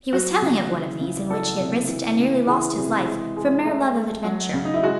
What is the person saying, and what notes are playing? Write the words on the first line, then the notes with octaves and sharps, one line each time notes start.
He was telling of one of these in which he had risked and nearly lost his life from mere love of adventure.
F#3 F#4
C#3
E3
C#3
F#3 A4
C3
E3
C#3
E3 G#4
C3
G#3
G#3
A3
A3
F#3
C#3
D#4
E4
G#3 F#4